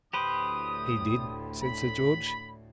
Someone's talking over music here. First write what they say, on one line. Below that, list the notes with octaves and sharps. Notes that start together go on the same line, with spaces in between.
"He did," said Sir George.
D2 A2 G4 B4 C5 D#6
B5